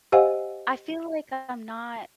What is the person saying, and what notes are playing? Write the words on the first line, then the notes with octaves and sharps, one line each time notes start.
I feel like I'm not
G4 C5 D#5 F5 F#5 G#5